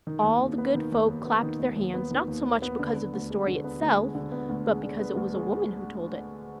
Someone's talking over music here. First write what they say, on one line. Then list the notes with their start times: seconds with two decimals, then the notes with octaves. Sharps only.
All the good folk clapped their hands, not so much because of the story itself, but because it was a woman who told it.
0.07 D#3
0.23 D#2
0.40 D#2
0.58 B3
0.74 D#3
0.92 D#2
1.08 D#2
1.25 B3
1.43 D#3
1.59 D#2
1.76 D#2
1.94 B3
2.11 D#3
2.28 D#2
2.45 D#2
2.62 B3
2.79 D3
2.96 B3
3.13 D2
3.30 G#3
3.47 D3
3.64 B3
3.81 D2
3.98 G#3
4.15 D3
4.32 B3
4.49 D2
4.66 G#3
4.83 D3
5.00 B3
5.17 D2
5.34 G#3